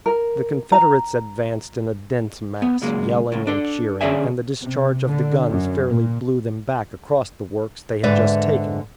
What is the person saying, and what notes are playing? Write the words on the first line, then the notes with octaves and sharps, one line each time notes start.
The Confederates advanced in a dense mass, yelling and cheering, and the discharge of the guns fairly blew them back across the work's they had just taken.
A#4
A#5
B3
C#2 F#2 G#3 A#3
C#2 A2
D4 A4
D3 C#4 G#4 D5 E5 G#5
C3
D3
F#2
A#2
G#2 D3 B4 D5 E5